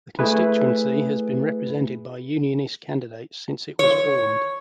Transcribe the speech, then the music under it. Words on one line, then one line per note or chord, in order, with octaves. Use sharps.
The constituency has been represented by Unionist candidates since it was formed.
A3 E4 G#4 B4
C#5